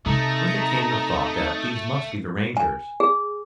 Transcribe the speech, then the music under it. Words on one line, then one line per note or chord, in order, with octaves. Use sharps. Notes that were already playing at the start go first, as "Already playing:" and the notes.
With it came the thought that these must be the Rangers.
C3 A3 D#4 A4 A#5
G#5
G#4